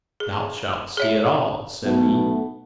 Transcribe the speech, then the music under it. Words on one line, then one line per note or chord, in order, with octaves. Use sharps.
"Thou shalt see it all," said he.
G#4
G#4 C#5 E5
B1 A3 B3